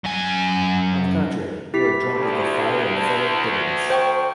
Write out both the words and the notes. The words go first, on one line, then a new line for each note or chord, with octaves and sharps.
On the contrary, you are drunk with the fire and full of bitterness.
F#2 G#5
E4 G4 B6
D2
C5 G5 C#6